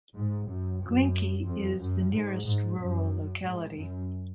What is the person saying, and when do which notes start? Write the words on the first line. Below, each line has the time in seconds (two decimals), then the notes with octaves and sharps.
Glinki is the nearest rural locality.
0.15 G#2
0.48 F#2
0.81 F#2
1.47 F2
1.80 F#2
2.13 G#2
2.45 G#2
2.79 F#2
3.44 G#2
3.77 F#2